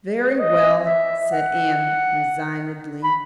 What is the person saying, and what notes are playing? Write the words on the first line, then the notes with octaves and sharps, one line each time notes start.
"Very well," said Anne resignedly.
B4
C#5
D#5
E5
F#5
B5